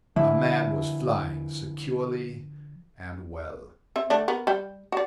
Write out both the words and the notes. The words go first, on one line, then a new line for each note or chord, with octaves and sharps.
A man was flying securely and well.
D3 F3 E4
C4 E5
D3 A3 D4
B3 A#4
G3 G5
F#4 D5